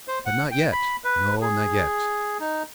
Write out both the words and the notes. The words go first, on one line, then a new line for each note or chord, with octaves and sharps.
But not yet--no, not yet.
C5
F#5
G5
B5
B4
G#4
D#4